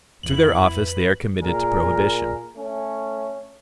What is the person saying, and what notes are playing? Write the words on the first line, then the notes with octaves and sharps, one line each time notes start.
Through their office they are committed to prohibition.
F2 E3 B3 E4 F#7
B4
A#2 G#4 A#4
A3 C#4